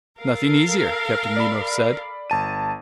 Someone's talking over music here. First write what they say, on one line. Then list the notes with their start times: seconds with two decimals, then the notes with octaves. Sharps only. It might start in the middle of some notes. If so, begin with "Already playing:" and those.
"Nothing easier," Captain Nemo said.
0.20 A4 A#4 F5
1.36 D5 B5
2.30 G1 A5 D#7